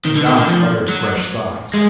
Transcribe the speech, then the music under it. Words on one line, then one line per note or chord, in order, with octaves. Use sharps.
Madame uttered fresh sighs.
D#3
D3
D#3
D3
F3
F#3
G#3